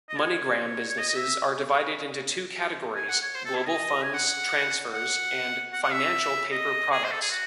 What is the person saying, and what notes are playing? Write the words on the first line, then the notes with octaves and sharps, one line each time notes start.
MoneyGram businesses are divided into two categories: Global Funds Transfers and Financial Paper Products.
D#5
C#5
C#5
D#5
D#5
E5
G#5
F#5
C#5
C5
A4
E4
D#5
G#5
F#5
F#5
F#5
F#5
E5
D#5
G#4
C5
A4
G#4
F#4